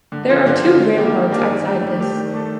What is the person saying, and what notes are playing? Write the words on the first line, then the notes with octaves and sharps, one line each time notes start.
There are two ramparts outside this.
D3
F3 C4 F4 C5
D3
F3 C4 F4 C5
D#3
G3 A#3 D4 G4
D#3
G3 A#3 D4 G4
D#3
A3 D4 G4
D#3
A3 D4 G4
D#3
A3 D4 A4